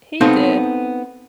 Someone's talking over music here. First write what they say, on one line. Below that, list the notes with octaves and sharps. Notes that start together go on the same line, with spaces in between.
He did,
B3 C4 D#4 A4 F5